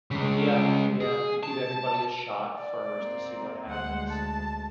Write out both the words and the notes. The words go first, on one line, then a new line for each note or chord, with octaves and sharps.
Yeah, yeah, you give everybody a shot first to see what happens,
C#3 G#3
G#4
A5
D5
A#3 C4
D2 G#3 C5 F#5
A5